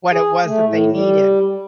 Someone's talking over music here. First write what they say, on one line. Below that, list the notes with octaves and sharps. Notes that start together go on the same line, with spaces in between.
what it was that they needed.
G#4
A3
A2
G3